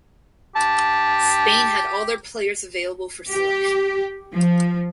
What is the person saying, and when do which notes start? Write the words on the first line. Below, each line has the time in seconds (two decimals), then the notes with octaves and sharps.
Spain had all their players available for selection.
0.56 G4 A5
3.31 G4
4.34 F3